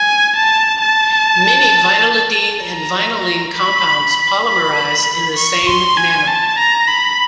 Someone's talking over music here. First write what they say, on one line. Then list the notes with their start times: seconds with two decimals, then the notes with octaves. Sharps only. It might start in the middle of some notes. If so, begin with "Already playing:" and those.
Many vinylidene and vinylene compounds polymerize in the same manner.
Already playing: G#5
0.36 A5
0.82 A5
2.64 A#5
3.55 B5
4.46 B5
5.37 C#6
5.67 C6
5.97 G#5
6.27 A5
6.58 A#5
6.88 B5